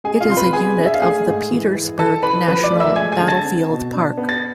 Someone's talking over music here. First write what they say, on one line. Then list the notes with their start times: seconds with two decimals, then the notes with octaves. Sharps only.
It is a unit of the Petersburg National Battlefield Park.
0.04 G#3 G#4 G#5
0.20 F4 F5
0.28 C3 C6
0.37 B4 B5
0.53 B3 G#4 G#5
0.77 D4
0.86 E5
0.94 F5
1.02 A3 G#4 G#5
1.26 G#2
1.51 E3
1.75 E3
1.99 E3 A4 A5
2.23 E3 B4 B5
2.48 F3 B4 B5
2.63 D5 D6
2.72 A3
2.80 E5 E6
2.96 G#3 G#5 G#6
3.12 G#5 G#6
3.20 D3
3.28 A5 A6
3.44 C4
3.70 B2
3.93 D4
4.17 B3
4.29 A6